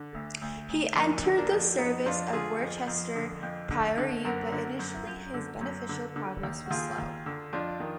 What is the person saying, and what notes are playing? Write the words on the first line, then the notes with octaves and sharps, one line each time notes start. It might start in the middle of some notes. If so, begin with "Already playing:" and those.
He entered the service of Worcester Priory, but initially his beneficial progress was slow.
Already playing: D3
D2
D2
D2
F2 A#3 D4
D3
A#3 D4
F2
F2 B3 D#4
F2 D4 F4
D3 F4 G#4
F2
F2
D3
F2
D3
D3
F#2 F#4 A#4
D3
F#2
F#2
D3
F#2
D3
D3
D#2
F#4
D#2 F4 G#4
D#2
D3
F2 D4 F4
D#3